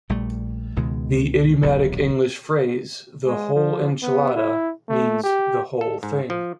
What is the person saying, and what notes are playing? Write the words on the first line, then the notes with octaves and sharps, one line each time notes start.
The idiomatic English phrase "the whole enchilada" means "the whole thing".
A#1 G3 A3
C#2 B2 D#3 G#3
D#1 B1
G#3
F3
B3
E4
A3
G4
A4
G#2
F3